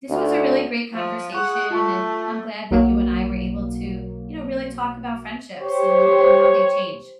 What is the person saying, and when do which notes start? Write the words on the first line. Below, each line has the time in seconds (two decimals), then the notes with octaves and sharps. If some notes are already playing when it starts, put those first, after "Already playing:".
this was a really great conversation, and I'm glad that you and I were able to, you know, really talk about friendships and and how they change.
0.10 D2
0.94 F3
1.34 G#4 F#5 C#6
1.71 A3 F4 A5 C#6
2.71 B1 F#3 A#3
5.60 G4 C5 C#5